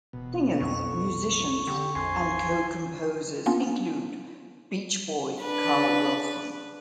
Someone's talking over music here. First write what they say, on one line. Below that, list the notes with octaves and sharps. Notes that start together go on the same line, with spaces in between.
Singers, musicians and co-composers include; Beach Boy Carl Wilson.
E1 B2
B1 F2 C#6
D3 G4
A#1 F2 G#5 C6
A#3 B3 C#4 D4 F4
D4 B4